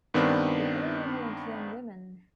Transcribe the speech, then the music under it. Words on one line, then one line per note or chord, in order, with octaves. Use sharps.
They only want young women.
G2 D#3 B3 C4 D4